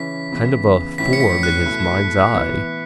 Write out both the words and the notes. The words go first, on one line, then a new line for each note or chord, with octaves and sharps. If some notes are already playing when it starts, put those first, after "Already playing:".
Kind of a form in his mind's eye.
Already playing: C#3 E3 C#4 E4 B6
C#3 E3 B3 E4
A2 E3 C#4 E4 B6
C#7
B6
F#6
B2 A3 E4
E3 B3 E4